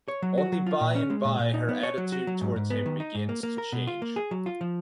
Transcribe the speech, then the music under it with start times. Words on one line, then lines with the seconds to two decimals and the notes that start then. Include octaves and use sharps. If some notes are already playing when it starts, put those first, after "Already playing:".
Only by and by her attitude towards him begins to change.
0.08 C#5
0.22 F#3
0.38 F#4
0.52 F#3
0.66 F4
0.81 A#2
0.95 C#4
1.10 G#3
1.25 A#2
1.39 A#2
1.54 D#4
1.69 B3
1.83 C#5
1.98 F#3
2.12 F#4
2.27 F#3
2.41 G#2
2.56 G#2
2.70 B3
2.86 D#3
3.00 D#4
3.15 G#2
3.29 A#3
3.43 A#3
3.58 A#4
3.72 B2
3.87 F4
4.02 A#3
4.16 G#4
4.31 F#3
4.46 F4
4.61 F3